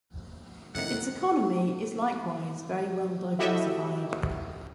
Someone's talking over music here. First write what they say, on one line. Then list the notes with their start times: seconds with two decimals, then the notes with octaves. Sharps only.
Its economy is, likewise, very well-diversified.
0.75 F2 A2 C3 D#3 A#3 F#5
3.39 E4 F#4 G4 A4 D#5 E5